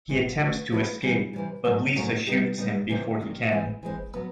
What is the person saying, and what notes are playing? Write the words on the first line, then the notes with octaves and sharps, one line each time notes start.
He attempts to escape, but Lisa shoots him before he can.
A2 E3 G#3 B3
F3 A3 C#4 F#4 B4
F3 A3 C#4 F#4 B4
C3 E3 G3
C3 E3 G3
G#2 D#3 F#3 A3
G#2 D#3 F#3 A3
G3 B3 D#4 G4
G3 B3 D#4 G4
E2 C3 D#3
E2 C3 D#3
E3 G#3 C4
E3 G#3 C4
F#3 B3